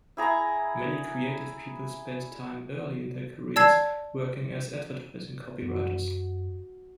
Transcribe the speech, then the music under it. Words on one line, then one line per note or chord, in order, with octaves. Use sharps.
Many creative people spend time early in their careers working as advertising copywriters.
E4 G#4 A#5
D5 A5 E6 G#6 C7
F#2 F#4